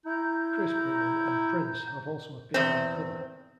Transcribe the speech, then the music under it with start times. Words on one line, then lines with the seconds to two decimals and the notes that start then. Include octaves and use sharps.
Chris Brown and Prince have also appeared on the cover.
0.06 E4 A#5 G6
2.54 E2 C4